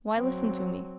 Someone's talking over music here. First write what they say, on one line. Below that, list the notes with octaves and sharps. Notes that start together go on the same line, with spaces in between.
Why listen to me?
F#3 C4